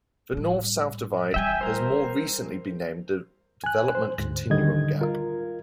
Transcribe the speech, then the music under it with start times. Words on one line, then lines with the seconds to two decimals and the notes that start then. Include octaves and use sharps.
The north-south divide has more recently been named the development continuum gap.
0.33 A2 G3
1.34 E3 G3 E5 G5 G#5
1.61 A#4 C5
3.64 G#5 F#6
3.95 C5
4.18 D2 G#2
4.50 D3 D#3 G3 D#5 G#6
5.01 F4 A#4